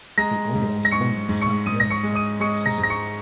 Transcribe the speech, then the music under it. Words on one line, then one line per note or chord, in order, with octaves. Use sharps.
Rugolo was born in San Piero Patti, Sicily.
G#3 A#5 A#6
G#2
A#6
G#2 C#6 C#7
G#2
C#6 C#7
G#2 D#6 D#7
A#6
C#6 C#7
G#3
D#6 D#7
G#3 C#6 C#7
A#5 A#6
G#2
A#6
C#6 C#7